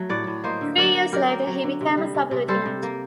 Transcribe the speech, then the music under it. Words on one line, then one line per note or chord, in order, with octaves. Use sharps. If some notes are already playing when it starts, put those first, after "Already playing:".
Three years later he became a Sub Lieutenant.
Already playing: F#3 A3
A2 D5 F#5
A2
A#3 C5 D#5
D3
F#3 A#4 D5
A#3
F#3 G4 A#4
A#3
F#3
D3
C3
G3
C3
C3
G3 A4 C5
C3
A#3